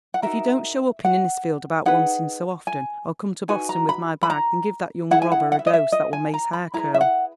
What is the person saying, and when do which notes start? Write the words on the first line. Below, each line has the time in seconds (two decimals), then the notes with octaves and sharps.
"If you don't show up in Innisfield about once in so often I'll come to Boston with my bag and give that young robber a dose that will make his hair curl."
0.14 F#5
0.22 D#4 F#4 A#4 E5
1.05 F#5
1.86 D#4 G#4 B4 F#5
2.67 G#5
3.48 D#4 F#4 B4 G#5
3.69 A#5
3.89 B5
4.23 B5
4.30 A#5
5.11 E4 G#4 B4 F#5
5.22 G#5
5.32 F#5
5.52 F#5
5.59 E5
5.67 D#5
5.73 E5
5.92 D#5
6.13 G#5
6.34 A#5
6.53 B5
6.74 E4 G#4 B4 A#5
6.94 E5
7.01 F#5